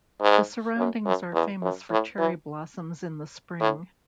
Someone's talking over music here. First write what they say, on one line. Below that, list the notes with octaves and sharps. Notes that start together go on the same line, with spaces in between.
The surroundings are famous for cherry blossoms in the spring.
G#2
F#2
F#2
E2
F#2
A2
E3
A2